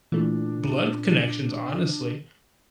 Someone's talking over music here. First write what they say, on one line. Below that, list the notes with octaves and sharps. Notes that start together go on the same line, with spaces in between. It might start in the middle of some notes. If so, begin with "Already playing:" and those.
blood connections, honestly.
A#2 E3 A3 D4